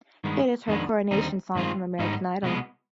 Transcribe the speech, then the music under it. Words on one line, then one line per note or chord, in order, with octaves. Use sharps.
It is her coronation song from "American Idol".
G2 D#3 G#3 B3
F2 D#3 G#3 B3 D4
D#2 D3 G3 C4 D#4
G2 D#3 G#3 C4 F4
G#2 D#3 G3 B3 D#4
C2 B2 G#3 B3